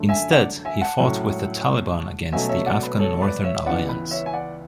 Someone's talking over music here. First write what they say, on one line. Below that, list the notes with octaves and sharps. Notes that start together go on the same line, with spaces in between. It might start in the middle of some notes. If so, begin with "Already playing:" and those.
Instead, he fought with the Taliban against the Afghan Northern Alliance.
Already playing: F#2 D3 A3
E5 G#5
D5 F#5
E5 G#5
F#5 A5
A2 F#3 C#4
B2 F#3 A3 C#4 E5 G#5
C#5 E5
D5 F#5
B4
A4 C#5
B4 D5
C#5 E5
C#2 C#3 E3 B3 D5 F#5
B4
C#5 E5
G#5
D5 F#5